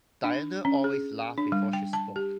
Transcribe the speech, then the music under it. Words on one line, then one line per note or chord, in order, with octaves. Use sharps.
Diana always laughed before she spoke.
D4
C#4
G#4
D4
G3
G5
A5
G4